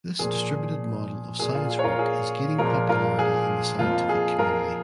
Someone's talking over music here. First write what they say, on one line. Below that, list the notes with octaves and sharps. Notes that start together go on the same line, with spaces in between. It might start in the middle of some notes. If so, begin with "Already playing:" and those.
This distributed model of science work is gaining popularity in the scientific community.
A#2 F3 A#3 G#4
A#2 A#3 G#4
F4
G#4
C#5
F4 A#4
G#4
A#2 F3 G#3 F4 A#4
F4 A#4
G#4
F2 F3 A#3 F4
G#4
F4 A#4